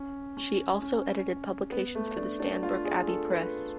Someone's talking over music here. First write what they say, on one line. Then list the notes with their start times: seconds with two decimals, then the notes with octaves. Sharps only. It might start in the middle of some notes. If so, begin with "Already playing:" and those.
She also edited publications for the Stanbrook Abbey Press.
Already playing: C#4
0.37 C#4
0.82 C#4
1.72 B3
1.95 A3
2.17 D4
2.40 D4
2.63 F4
2.85 G#4
3.08 A4
3.30 B4